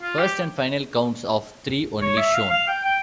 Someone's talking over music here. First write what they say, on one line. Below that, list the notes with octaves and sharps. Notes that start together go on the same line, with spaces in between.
First and final counts of three only shown.
F4
G4
C#5
E5
F5
F5
G5
G5